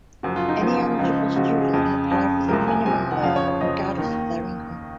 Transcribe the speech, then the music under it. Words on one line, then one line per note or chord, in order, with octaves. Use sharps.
Any eligible student can apply for the minimum loan regardless of their income.
F#2 C#3 F3 F#4
F4
D#4
F#2 C#3 F3
C#2 C#3 F3
C#2 C#3 F3 F#4
F#4
G#4
F2 C#3 F3
F2 C#3 F3
C2 C3 F3 A#4
G#5
C2 C3 F3 G#5
F#5
F2 C#3 F3 F5
C#5
C#5
F2 C#3 F3 D#5
D#2 D#3